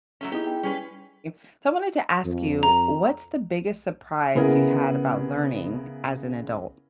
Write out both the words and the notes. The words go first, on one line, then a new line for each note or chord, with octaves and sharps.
Mm, so I wanted to ask you, what's the biggest surprise you had about learning as an adult?
F#3 A3 C#4
B3 D#4 E4 G4 G#4
G5
G3 C#4 G#4 B4
F2
A#5
C#3 B3 E4 G#4 A#4